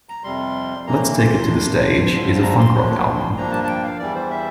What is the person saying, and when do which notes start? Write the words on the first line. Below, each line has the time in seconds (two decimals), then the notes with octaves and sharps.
"Let's Take It to the Stage" is a funk rock album.
0.09 A#5
0.24 F2 C3 G3 C6
0.86 C3 E3 A#3 A#5
1.18 C6
1.49 C3 G3 A#3 D4
2.12 G2 D3 F3
2.35 A5
2.43 A#5
2.59 C6
2.74 A2 F3 A#3 D4
3.36 G2 F3 A#3 D4 A#5
3.52 A5
3.64 A5
3.68 G5
3.84 F5
3.99 E2 E3 G3 D5
4.15 C5
4.30 E5